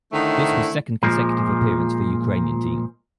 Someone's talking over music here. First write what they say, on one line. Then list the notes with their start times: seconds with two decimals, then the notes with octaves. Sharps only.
This was second consecutive appearance for Ukrainian team.
0.13 D3 D#3 A3 C4 D#4 E4
1.03 A#2 F3 G#3